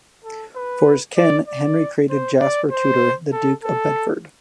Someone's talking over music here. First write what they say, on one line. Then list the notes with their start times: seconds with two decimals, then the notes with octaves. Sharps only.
For his kin, Henry created Jasper Tudor the Duke of Bedford.
0.24 A4
0.56 B4
1.17 D5
1.48 D5
2.10 C5
2.40 D5
2.71 C5
3.32 A4
3.63 A4